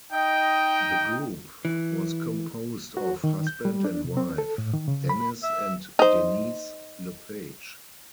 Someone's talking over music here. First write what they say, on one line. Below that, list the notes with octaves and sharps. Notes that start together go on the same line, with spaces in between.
The group was composed of husband and wife Denis and Denyse LePage.
D#4 D#5 G5
E3
F#4
D#3
G6
G3
D4
C3
C4
A4
A2
D#3
C#3
B5
E5
D#4 C5